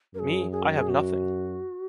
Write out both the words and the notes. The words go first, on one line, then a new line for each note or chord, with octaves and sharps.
Me, I have nothing!
F#2 A#4
G#4
G#4
A#4
G#4
F#4